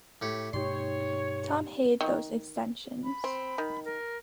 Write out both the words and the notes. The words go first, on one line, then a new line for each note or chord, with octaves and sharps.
Tom hated those extensions.
A2 G4 C#5
G2 B2 A3 D#4 G4 C#5 C6
D#3
B5
C4
D#3
A#4